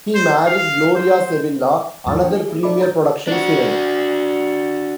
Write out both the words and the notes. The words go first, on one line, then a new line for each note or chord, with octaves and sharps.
He married Gloria Sevilla, another Premiere Production siren.
C5
F5
C5
D#2 G#2 F3 F#3 A6
E3 A3 D4 G5
G4 G#4
A3 E4 G#4
D#4 A4 D5 E5 B5 D6
A#5 G6 A6
D4 F#4